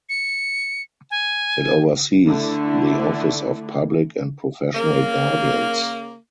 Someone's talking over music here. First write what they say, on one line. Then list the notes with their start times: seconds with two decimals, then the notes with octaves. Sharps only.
It oversees the Office of Public and Professional Guardians.
0.09 C#7
1.11 G#5
2.27 D3 A3 E4
4.75 C#3 A#3